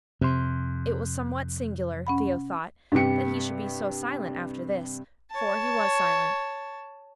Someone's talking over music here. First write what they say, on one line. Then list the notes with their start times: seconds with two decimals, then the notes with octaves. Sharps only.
It was somewhat singular, Theo thought, that he should be so silent after this, for he was silent.
0.21 F2 C3 C6
2.07 C#4 F#5 B5
2.92 G2 C3 G4 C#7
5.31 C#5 A5